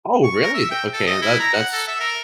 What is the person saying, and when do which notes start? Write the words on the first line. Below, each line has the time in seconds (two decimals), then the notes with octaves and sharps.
Oh, really? The Okay, and that that's
0.24 C#6
0.42 A#4
0.54 E5
0.71 G5
0.94 A4
1.07 D#5
1.22 E4
1.40 A#5
1.53 F#5
1.73 A4
1.87 E5
2.00 A#4